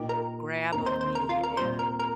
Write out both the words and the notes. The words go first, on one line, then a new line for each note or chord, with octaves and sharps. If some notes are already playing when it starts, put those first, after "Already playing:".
grab of me and
Already playing: A#2 A#3 D#4 G4
A#4
D#2 D#3 C4 D#4 A#4
C5
C5
A#4
F4
A#4
A#2 G3 C4 C5
A#4
A#4